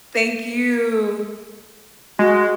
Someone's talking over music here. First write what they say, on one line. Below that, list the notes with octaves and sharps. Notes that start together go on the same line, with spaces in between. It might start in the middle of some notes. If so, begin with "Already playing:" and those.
Thank you.
G#3 F#4